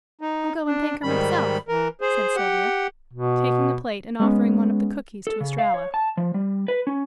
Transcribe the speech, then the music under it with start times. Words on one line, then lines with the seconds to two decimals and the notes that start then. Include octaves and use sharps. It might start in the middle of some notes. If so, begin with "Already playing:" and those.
"I'll go and thank her myself," said Sylvia, taking the plate, and offering one of the cookies to Estralla.
0.21 D#4
0.67 D4
1.03 G#2 D#3 G3 B5
1.68 E3 A#4
2.01 G#4 C5
2.36 G4 F#5
3.13 B2
4.20 G#3 B3 C#4
5.27 A4
5.41 C#3
5.58 F5
5.74 C#5
5.94 A5
6.17 F3
6.34 G3
6.68 B4
6.87 C#4